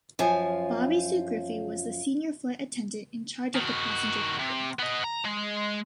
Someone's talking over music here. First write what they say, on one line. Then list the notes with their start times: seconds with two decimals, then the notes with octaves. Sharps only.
Bobbi Sue Griffey was the Senior Flight Attendant in charge of the passenger cabin.
0.19 F#2 F3 F4 G#5
3.55 D#3 F#4
4.39 C3
4.79 B3 D#5
5.04 A#5
5.25 G#3